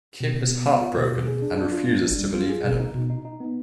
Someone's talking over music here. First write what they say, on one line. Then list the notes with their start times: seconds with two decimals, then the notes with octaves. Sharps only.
Kim is heartbroken and refuses to believe Ellen.
0.20 B2
0.36 B2
0.51 B3
0.66 B3
0.81 F4
0.96 B2
1.12 B2
1.27 G#4
1.42 D4
1.58 D4
1.73 F4
1.88 D4
2.03 D4
2.18 G3
2.33 F4
2.49 G#4
2.64 B2
2.80 D#4
2.95 B2
3.10 D#4
3.25 D#4
3.40 B3